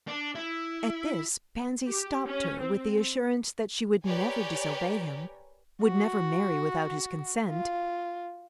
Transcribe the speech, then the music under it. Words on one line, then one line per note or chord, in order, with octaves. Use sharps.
At this Pansy stopped her with the assurance that she would never disobey him, would never marry without his consent.
D4
E4
G4
C#4
C4
G4 A#4 B4 C#5 D5 G#5
F#4
F4